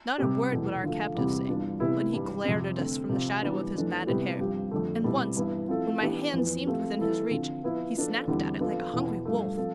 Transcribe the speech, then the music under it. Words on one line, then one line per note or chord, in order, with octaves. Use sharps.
Not a word would our captive say, but he glared at us from the shadow of his matted hair, and once, when my hand seemed within his reach, he snapped at it like a hungry wolf.
C3 G3 C4 G4
E2 B2 A3
D3 F3 A3
E2 C3 G3 C4
G2 E3 B3 D4 F4
C3 E3 B3 E4 G4
G2 E3 G3
F2 C3 G3 C4
D3 A3 C4
C3 F3 C4
E3 G3 B3 D4
F2 E3 A3 D4
C3 G3 B3 E4 G4
G2 F3 C4 G4
F2 D3 A3
B2 G3 C4 E4
G2 E3 B3 E4
F3 C4 E4 A4
E3 B3 D4 G4
F2 E3 B3
F3 A3 C4 G4
E3 A3 E4 A4
D3 F3 C4
F3 B3 E4
F3 B3 D4 A4
E2 D3 G3 C4 E4
F3 B3 D4 F4 A4
E2 B2 B3 E4
G2 F3 A3
F3 C4 F4 A4